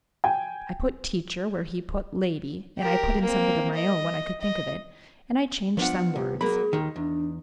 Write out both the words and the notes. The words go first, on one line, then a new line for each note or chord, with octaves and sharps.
I put "teacher" where he put "lady" and I put in something of my own when I could think of it and I changed some words.
G5 G#5
G4 A#4
A#3 C4
D#5
D#5
F3 B3 D4 F4 F#5
C2 G4
F#3 A#3 G#4 B5
D#2 D#3 D#4
E2 D4